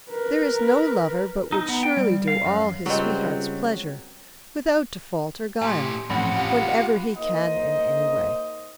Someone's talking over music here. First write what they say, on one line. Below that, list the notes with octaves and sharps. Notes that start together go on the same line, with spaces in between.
There is no lover but would surely do all his sweet-heart's pleasure without default or guile, whenever he can in any way.
A#4 B4
D#4
B3
G5
G3
F5
F#2
C#2 F#3 G3 C4 F4 D#5
A2 G4 G#5 C6
A1 F2 F#5 B5
F4 G4
A#3 D#4 C5 D#5